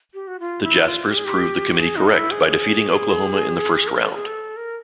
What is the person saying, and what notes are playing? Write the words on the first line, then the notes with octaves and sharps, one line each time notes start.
The Jaspers proved the committee correct by defeating Oklahoma in the first round.
G4
F#4
F4
E4
F4
G4
G#4
G4
G#4
D#4
E4
G#4
A#4
A4
G#4
A4
A#4